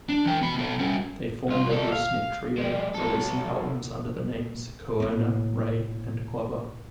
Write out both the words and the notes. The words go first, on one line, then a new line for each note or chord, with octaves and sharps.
They formed a loose-knit trio, releasing albums under the name Koerner, Ray and Glover.
D4
E3 G5
B2 B5
B2 A4
G3 C#4
C2 F4
G3 A4
F5
G3 G#3
B1 A4
A2 A#3